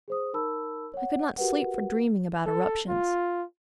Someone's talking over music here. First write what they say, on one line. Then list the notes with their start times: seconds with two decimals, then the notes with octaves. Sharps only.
I could not sleep for dreaming about eruptions.
0.08 G#4 C5 D#6
0.34 D#4 A#4 A5 B5 E6
0.94 C#5 F#5
1.37 F#4 G4 A#4 B4 F#5
2.46 A4
2.88 F4